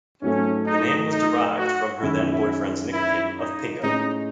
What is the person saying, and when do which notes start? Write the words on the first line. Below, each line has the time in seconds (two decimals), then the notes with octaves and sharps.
The name was derived from her then boyfriends nickname of Pingo.
0.22 G#2 F#3 A3 C#4
0.67 D#4
1.12 D#4
1.57 F#4
2.02 F#2 D#3 G#3 C#4 E4
2.32 E4
2.93 E4
3.38 D#4
3.83 A2 G#3 C#4 D#4